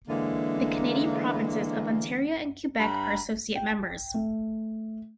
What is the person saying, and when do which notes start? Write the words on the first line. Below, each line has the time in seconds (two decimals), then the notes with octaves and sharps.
The Canadian provinces of Ontario and Quebec are associate members.
0.08 D3 E3 G#3 A#3
2.78 G2 A#5 B5
3.55 G5
4.14 A3